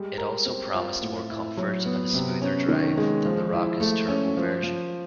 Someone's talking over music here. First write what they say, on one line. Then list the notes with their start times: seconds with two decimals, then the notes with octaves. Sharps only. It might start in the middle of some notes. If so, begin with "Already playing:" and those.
It also promised more comfort and a smoother drive than the raucous turbo version.
Already playing: G3 G#3
0.18 A#4
0.46 C4
0.74 F4
1.02 A2
1.30 E4
1.57 F#3
1.86 B3
2.14 C3
2.42 C#4
2.68 D#3
2.98 G#3
3.25 F3
3.53 E4
3.80 A3
4.08 C#4
4.37 F3
4.63 F3